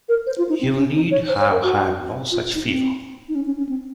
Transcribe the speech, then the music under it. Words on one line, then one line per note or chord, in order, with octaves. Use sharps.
You need have had no such fear.
A#4
C5
F4
D#4
C4
C#4
D#4
C#5
C5
C#5
A#4
F#4
F4
D#4
C4
D#4
C#4
C#4
C#4
C4